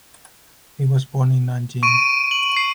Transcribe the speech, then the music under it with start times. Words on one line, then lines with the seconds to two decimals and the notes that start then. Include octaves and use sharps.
He was born in Nanjing.
1.83 C#6 D7 D#7
2.31 F#7
2.57 C7